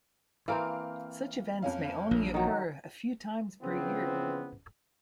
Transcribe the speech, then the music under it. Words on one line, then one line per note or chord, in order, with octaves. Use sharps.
Such events may only occur a few times per year.
E3 A#3 C4 F5 F6 D7
F2 C#4 F5
A#1
D#3 F#3
C#3 E3 F3 B3 C4